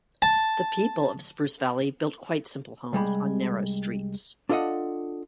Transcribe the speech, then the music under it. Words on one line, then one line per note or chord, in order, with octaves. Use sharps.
The people of Spruce Valley built quite simple homes on narrow streets.
A5
C2 G3 G#3 B5
D4 F4 A4 D5 D#5 F#5